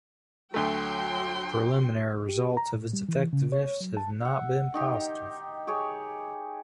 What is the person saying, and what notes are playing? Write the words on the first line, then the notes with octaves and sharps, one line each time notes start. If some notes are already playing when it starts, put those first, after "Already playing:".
Preliminary results of its effectiveness have not been positive.
D2 F#3 A3 G5 C6
G4
A#5
A2
G3
E3
C#3
C#5
F#3
A5
E5 F#5
D#3 D#4 G4
G4 G#4 C#5